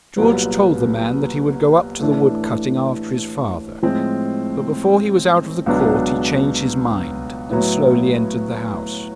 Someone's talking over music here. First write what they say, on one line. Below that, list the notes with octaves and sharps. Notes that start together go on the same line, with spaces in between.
George told the man that he would go up to the wood-cutting after his father; but before he was out of the court he changed his mind and slowly entered the house.
C2 A#2 F#3 B3
A2 E3 A3 D4
A2 F3 G#3 C4
C#2 B2 F#3 B3 D4
A2 F#3 B3 E4